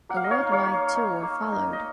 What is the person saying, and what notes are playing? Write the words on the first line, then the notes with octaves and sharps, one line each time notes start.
A worldwide tour followed.
A#3 F#5
F5
D#5
C#5 F5
D#4
C#5 F5
A#3
D#4
A#3
D#4
D#5